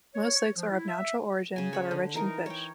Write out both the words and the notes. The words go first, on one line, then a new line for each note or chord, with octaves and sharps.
Most lakes are of natural origin, but are rich in fish.
C#5
C#5
F3
E4
E5
C#3 G#5
C#5 B5
D3
E3 D#4 A#4
C#5 G5